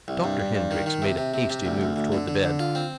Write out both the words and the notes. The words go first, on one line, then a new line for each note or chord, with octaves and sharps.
Dr. Hendrix made a hasty move toward the bed.
C2
G2
G2
G2
D#3
D#3
C3
C3
C3
C3
D2
D2
D2
D3
D3
D3
F4
C4